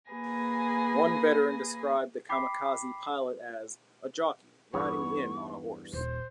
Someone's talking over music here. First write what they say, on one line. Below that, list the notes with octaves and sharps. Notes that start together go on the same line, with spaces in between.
One veteran described the kamikaze pilot as: a jockey riding in on a horse.
A#3 G#4 B4 G#5 A#6
G5 B5 D6 B6 C7
E2 G2 B3 D#4 C#6
D#1 C5